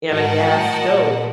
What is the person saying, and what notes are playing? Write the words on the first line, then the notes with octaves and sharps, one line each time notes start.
and a gas stove,
G#2 F#4 A#4 D#5 F#5 A5
A2
A#2